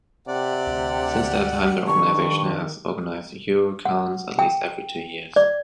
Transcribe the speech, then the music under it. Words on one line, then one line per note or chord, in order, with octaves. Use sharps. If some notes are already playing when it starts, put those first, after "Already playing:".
Since that time, the organisation has organized Eurocons at least every two years.
C3 G4 D5 F#5
D2
G2 D#3 C#6
F#5
G5
D5